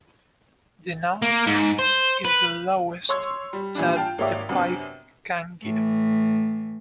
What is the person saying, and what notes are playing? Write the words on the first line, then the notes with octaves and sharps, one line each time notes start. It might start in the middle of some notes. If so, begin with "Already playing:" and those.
The note is the lowest that the pipe can give.
A#3
G#2
C5
B4
C#5 C6 C#6 E6 G#6
G3
A#2 E3 G3 D4
F4 G5 A5
G#1 A#3 G4 C#5 E5 D6
F#2 C3 B3 C4 D4
A2 E3